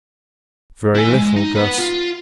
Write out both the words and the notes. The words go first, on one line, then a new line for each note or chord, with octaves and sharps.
"Very little, Guss."
E4 G#5
G#3
D#4
B4 F#5
F4